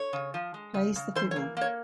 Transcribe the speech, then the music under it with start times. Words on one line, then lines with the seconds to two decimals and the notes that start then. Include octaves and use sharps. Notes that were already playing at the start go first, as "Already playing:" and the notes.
Plays the fiddle.
Already playing: C#5
0.13 C#3
0.34 F3
0.54 G#3
0.74 C#3
0.96 C#3
1.15 E3 C5
1.31 C#5
1.36 A#3
1.57 A#3 C#5